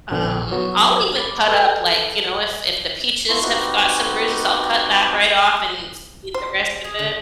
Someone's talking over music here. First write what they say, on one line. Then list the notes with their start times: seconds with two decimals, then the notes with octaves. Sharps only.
um I'll even cut up, like, y'know, if if the peaches have got some bruises, I'll cut that right off and f eat the rest of it.
0.11 A#1 D3 B3 D4 D5 G5
0.51 F#3 B3 F#4
1.16 B5 D6 A6
1.48 A4 B4 A5 E6 F6
3.29 B3 E4 F4 A5 C6 C#6
3.42 C4 D#4 F#4 G4 B4
6.34 C5
6.84 G#4
6.99 D3